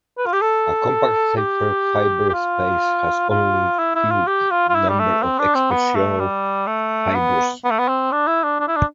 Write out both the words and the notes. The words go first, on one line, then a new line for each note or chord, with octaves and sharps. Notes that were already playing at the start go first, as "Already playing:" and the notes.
A compact Seifert fiber space has only a finite number of exceptional fibers.
B4
F4
G4
A4
G4
G4
F4
F4
E4
E4
F4
G4
F4
F4
E4
G3
A3
C4
D4
C4
B3
A3
G3
A3
B3
B3
A3
B3
C4
D4
E4
D4
D4
E4
D4